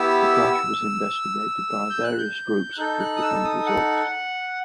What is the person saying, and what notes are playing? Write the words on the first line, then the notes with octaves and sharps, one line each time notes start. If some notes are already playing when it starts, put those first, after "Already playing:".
The crash was investigated by various groups, with different results.
Already playing: B3 E4 G4 E6
G6
F#6
G6
F#6
D#4 A4 G6
F#6
D#6
E6
D#6
F#5